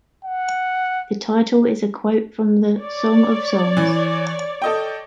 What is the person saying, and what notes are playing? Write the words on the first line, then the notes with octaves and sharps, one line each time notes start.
The title is a quote from the “Song of Songs”.
F#5
C#5 D5
E3
A4 D#5 G5